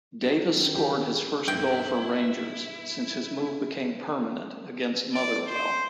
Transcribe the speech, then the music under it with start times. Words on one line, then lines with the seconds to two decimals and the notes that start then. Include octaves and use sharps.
Davis scored his first goal for Rangers, since his move became permanent, against Motherwell.
0.22 F#2 D4 F#4 A4
0.51 D#3
0.75 G4
1.48 B1 G2 E4 G5
5.13 D5
5.47 C5